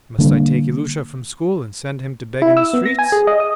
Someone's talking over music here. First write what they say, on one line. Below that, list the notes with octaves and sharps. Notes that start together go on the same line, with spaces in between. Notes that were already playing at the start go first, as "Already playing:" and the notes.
Must I take Ilusha from school and send him to beg in the streets?
D3 G3 A#3 D4
E4
E6
B3
A#6
G#5
G#4
D#5
D#6